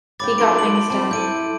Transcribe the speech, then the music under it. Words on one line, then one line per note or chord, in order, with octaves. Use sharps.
He got things done.
G2 C#5 G5 B5 D6 A6
F#3 D#4 A5 C6 D7
F#7
F3 C4 G5 A5
E4 A4 G6 D7 D#7